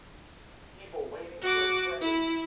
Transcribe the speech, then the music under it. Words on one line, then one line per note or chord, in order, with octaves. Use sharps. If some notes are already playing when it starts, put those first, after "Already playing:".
People waiting for a train.
F#4 D6
E4